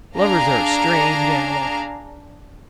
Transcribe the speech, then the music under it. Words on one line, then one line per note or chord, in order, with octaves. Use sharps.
Lovers are a strange animal.
D4 G#4 F5 A#5